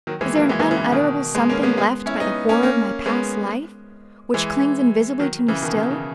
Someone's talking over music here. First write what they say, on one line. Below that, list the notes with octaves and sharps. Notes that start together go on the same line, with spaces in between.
Is there an unutterable Something left by the horror of my past life, which clings invisibly to me still?
D#3 F#3
E3 G#3
F#3 A#3
E3 G#3
E3 G#3
C#3 E3
C#3
B2 D#3
G#3 B3
A#3 C#4
G#3 B3
G#3 B3
C#4 E4
B3 D#4
A#3 C#4
A#3 C#4
G#3 B3
E3 G#3
D#3 F#3
C#3 E3
B2 D#3
C#3
C#3